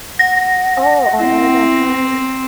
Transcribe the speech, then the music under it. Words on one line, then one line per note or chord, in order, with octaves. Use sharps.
Oh, on Amazon Prime?
F#5 A#6
C4 E4